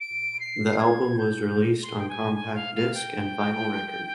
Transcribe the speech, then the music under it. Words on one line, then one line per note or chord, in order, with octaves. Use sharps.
The album was released on compact disc and vinyl record.
D7
C7
G#6
G6
C6
G5
G#5
G#5
F5
F5
G5